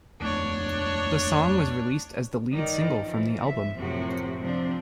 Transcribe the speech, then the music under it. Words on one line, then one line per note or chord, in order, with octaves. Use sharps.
The song was released as the lead single from the album.
F1 D#2 A3 D4 C#5
G2 D#3 D#4 D5
E3 F3
E5
F#2 A2 C3 F3 C4 F#4
C3 F3 C4 D4